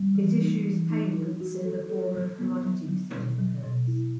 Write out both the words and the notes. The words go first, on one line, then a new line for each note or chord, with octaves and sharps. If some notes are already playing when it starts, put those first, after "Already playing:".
It issues payments in the form of Commodity Certificates.
Already playing: G3
E3
D#4
E3
D#4
F#3
F#4
A4
A4
F#3
B3
F#3
F#3
B2
F#3
B2
E4